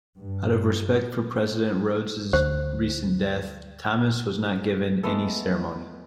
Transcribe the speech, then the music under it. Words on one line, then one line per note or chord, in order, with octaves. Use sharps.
Out of respect for President Rhoads's recent death, Thomas was not given any ceremony.
G2
D2 C5
G#3 A3 B3 A4